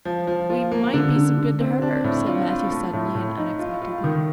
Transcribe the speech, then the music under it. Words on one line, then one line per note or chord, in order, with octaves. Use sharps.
"We might be some good to her," said Matthew suddenly and unexpectedly.
F3
F3
F4
A#3
D3
D3
D3
C4
D4
A2
F4
F4
A3
A2
A2
D#4
F4
F4
D#3